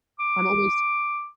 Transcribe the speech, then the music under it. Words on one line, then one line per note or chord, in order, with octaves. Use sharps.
I'm almost
D6